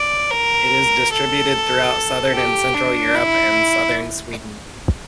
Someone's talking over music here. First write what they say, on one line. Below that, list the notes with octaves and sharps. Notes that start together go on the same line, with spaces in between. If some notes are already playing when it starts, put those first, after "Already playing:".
It is distributed throughout southern and central Europe, and southern Sweden.
Already playing: D5
A#4
A4
G4
D4
E4